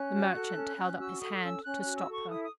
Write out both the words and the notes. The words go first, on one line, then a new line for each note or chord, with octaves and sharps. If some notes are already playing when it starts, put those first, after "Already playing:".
The merchant held up his hand to stop her.
Already playing: C#4 F#6
F#4
A4
C#4
C#4
F#4 E6
A4 D#6
C#4 E6
C#4 F#6
F#4 F#6
E6
A4 C#6
E4 D#6
D#6